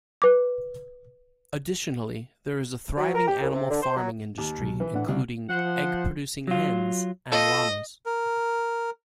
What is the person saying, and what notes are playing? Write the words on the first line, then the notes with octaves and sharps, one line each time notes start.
Additionally, there is a thriving animal farming industry including egg-producing hens and llamas.
B4 D6
F#3
A#4
G4
C2
C3
D3
C5
F#3
D#2
C2 B2 F#3
E3
A2 D4 F#5
C2 C#3
F3 C5 F#5
F#3 F4
F4 A4 D#5
A#4